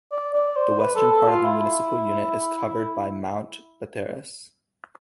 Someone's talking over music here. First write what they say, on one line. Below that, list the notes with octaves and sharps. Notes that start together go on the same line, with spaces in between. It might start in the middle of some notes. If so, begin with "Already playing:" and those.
The western part of the municipal unit is covered by Mount Pateras.
D5
D5
C5
B4
A4
A4
F4
E4